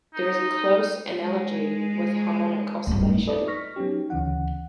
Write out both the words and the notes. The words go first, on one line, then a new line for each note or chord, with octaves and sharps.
There is a close analogy with harmonic oscillation.
D#4
G#3
D1 G2
D#4 E4 A4 B4 D5 D#5
C#6 F6 A#6 B6
F#3 B3 C#4 D#4 G4
D2 C#3 E3 C#4 F#5